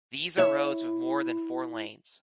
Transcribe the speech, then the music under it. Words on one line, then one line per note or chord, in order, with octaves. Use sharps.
These are roads with more than four lanes.
E4 C#5 E5